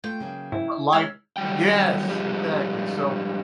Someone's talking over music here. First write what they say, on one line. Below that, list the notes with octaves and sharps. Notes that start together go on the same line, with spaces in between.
l life Yes, exactly. So,
A3 F4 G5
C#3 F#3 A#3
G#2 E4
G#3 D#4 C#5 E6 F6
D#3 F#3 G3 G5
G#2 F3 G3 G#3